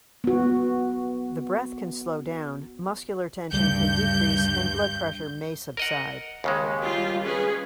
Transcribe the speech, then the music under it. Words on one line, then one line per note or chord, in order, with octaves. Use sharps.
The breath can slow down, muscular tension can decrease and blood pressure may subside.
B3 F#4
D2 G2 C#3 G3 G6
A#4 D#5 F#5
D#2 C#3 G#3
G3 F4
C#4 G#4 B4